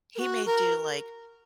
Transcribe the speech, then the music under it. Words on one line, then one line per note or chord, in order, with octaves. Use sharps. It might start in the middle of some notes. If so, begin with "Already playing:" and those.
he may do, like,
A#4
F#4
A#4